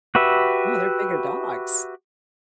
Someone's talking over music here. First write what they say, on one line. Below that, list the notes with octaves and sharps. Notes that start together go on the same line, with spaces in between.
Wow, they're bigger dogs.
F#4 G4 B4 E5